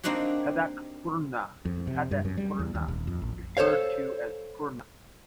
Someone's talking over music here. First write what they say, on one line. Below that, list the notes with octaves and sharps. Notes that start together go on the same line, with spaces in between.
Khadakpurna, Katepurna, referred to as Purna.
A#3 C4 D4 D#4 F#4 G4
F2
C3
G2
F#2
G3
E2
D#2
D#1
F2
A1
A4 C5 C#5 F5